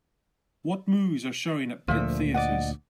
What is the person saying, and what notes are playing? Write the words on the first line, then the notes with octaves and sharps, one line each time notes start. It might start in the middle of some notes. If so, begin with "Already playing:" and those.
What movies are showing at Plitt Theatres.
D2 A#2 F3 E5
D5 D#5 F#5